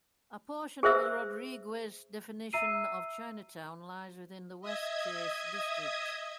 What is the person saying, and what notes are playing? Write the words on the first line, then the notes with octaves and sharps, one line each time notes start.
A portion of the Rodriguez definition of Chinatown lies within the Westchase district.
G#4 B4 C5 E5 E6
E5 A#5 E6 C7 D#7
D#5 E5 D#6 G#6